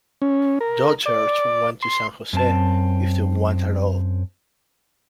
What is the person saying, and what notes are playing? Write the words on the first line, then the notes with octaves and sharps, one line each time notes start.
Daughters went to San Jose, if they went at all.
C#4
A#4
D5
C6
F#2 C4 A5